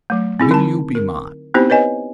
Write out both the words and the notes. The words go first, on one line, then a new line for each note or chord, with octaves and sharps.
Will you be mine?
F#3 A3
C4 E4 G#4
D3 D#4 A5
A#4
B3 C4 D#4 E4 G4 C5
B4 C#5 D#5 G#5